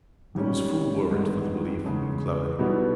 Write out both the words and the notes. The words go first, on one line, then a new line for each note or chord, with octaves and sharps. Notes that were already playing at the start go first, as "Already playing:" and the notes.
There was full warrant for the belief of McClellan.
G#1 G#2 G3 C#4
G#1 G2 D#3 G#3 B3
E2 C#3 G#3
B1 B2 G3 B3 E4